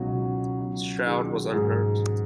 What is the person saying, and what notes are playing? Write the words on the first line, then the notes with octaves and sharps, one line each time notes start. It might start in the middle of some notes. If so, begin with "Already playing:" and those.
Stroud was unhurt.
Already playing: C#2 B2 F#3 C#4 D#4 F#4
C#2 F#4
F#3 F#4
D#3 G#4
G#2 G#4